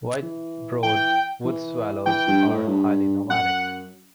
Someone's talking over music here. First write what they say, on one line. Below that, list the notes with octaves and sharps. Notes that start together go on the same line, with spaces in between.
White-browed woodswallows are highly nomadic.
E3
E3 G5
E3
E3 G5
G2
A2
G2
F#2 F#5